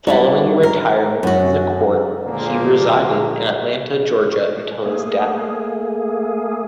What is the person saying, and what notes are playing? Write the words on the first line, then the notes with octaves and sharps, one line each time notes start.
Following retirement from the Court, he resided in Atlanta, Georgia until his death.
G3 E4 F#4
A#4
F#2 F#4
C#2 A#2 D3 F3 A#3
A3 A#3 G#4